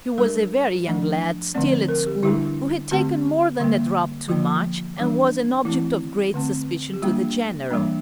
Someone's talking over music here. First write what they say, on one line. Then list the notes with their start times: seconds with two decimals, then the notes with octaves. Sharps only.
He was a very young lad, still at school, who had taken more than a drop too much, and was an object of great suspicion to the general.
0.18 G3 D4 A#4
0.87 F3 A3 D4
1.55 D3 F3 A3 C4 D5
1.72 C5
1.89 A#4
2.07 G4
2.23 D3 G3 D4 E4
2.91 D3 A3 C4 G4
3.60 D3 G3 A#3
4.28 D3 F3 A#3 F4
4.97 E3 G3 D4
5.65 E3 A3 C4 E4
6.34 D3 A3 C4
6.94 G4
7.02 G3 A#3 D4 F4
7.70 E3 G3 A#3 D4